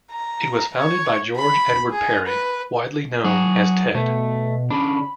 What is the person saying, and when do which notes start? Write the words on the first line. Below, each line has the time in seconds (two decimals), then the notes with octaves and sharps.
It was founded by George Edward Perry, widely known as "Ted".
0.11 A#5
0.77 C#5
1.36 B5
1.91 G#4
2.27 B4
3.24 F#3 F#4 G#4
3.95 B2 A3
4.71 C#3 D4 B5